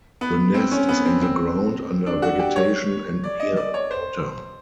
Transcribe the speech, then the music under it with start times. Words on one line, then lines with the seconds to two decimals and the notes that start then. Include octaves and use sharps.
The nest is on the ground under vegetation and near water.
0.21 B3
0.54 C4
0.71 C#4
0.89 B3
1.05 C4
1.22 C4
2.06 D4
2.22 F#4
2.39 G4
2.56 C#5
3.24 D5
3.40 D#5
3.57 D5
3.74 C#5
3.91 C5